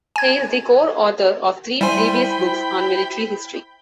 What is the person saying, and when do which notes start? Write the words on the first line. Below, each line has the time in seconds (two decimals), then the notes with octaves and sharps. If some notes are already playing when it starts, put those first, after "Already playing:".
He is the co-author of three previous books on military history.
0.16 G#5 G#6
1.81 G3 E4 C5 G5 G#5 B5